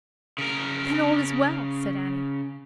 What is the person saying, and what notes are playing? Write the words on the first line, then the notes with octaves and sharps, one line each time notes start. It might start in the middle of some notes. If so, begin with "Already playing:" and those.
"Then, all is well," said Annie.
C#3 A#4